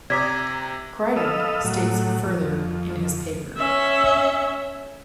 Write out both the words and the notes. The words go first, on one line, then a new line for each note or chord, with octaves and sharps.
Grider states further in his paper ...
C3 D5 A#5 D6 D#6 G#6 B6
A4 D#5 F5 B5 E6
A2 F#3
F2
C#4 E5